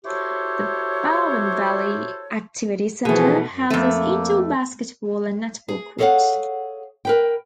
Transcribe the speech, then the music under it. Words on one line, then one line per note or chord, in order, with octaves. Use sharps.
The Barwon Valley Activity Centre houses indoor basketball and netball courts.
E4 F#4 G4 A4 C5 C#5
B2 E3 F3 A3 G#4
F#2
F2 A3 A#3
G#4
G#4 A4 C#5 D5 F5 F#5
A#4 B4 G5